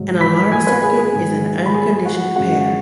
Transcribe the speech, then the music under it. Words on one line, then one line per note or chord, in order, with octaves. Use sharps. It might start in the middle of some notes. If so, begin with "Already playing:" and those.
An alarm circuit is an unconditioned pair.
Already playing: G#2 D#3 F#3
B5 B6
G#5 G#6
B4 B5
G#4 G#5
G#4 G#5
G#2 D#3 F#3
B5
G#4 G#5
F#4 F#5
F#2 C#3 G#3 F#4 F#5